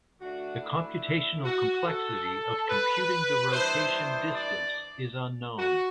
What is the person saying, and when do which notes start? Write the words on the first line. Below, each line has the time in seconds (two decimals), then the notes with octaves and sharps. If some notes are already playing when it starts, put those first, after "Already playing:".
The computational complexity of computing the rotation distance is unknown.
0.19 D3 A3 D4 F#4
0.61 E4
1.03 E4
1.44 F#4
1.85 A4
2.69 B4
3.51 G2 E3 B3 D4 C5
3.93 C5
4.34 D5
5.58 F#4